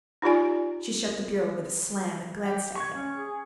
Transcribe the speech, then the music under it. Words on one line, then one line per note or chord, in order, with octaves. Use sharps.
She shut the bureau with a slam, and glanced at him.
D#4 F4 G4 D5 G#5
G4
C#6 G#6
C#4
G#4